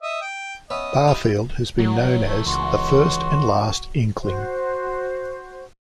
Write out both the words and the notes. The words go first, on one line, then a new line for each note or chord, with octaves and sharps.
Barfield has been known as "the first and last Inkling".
D#5 E5
G5
B3 C#4 D#5 E5
E4 F4 G4
E3 F#3 A#4
A3
C#2 F#4 C6
F#4 C5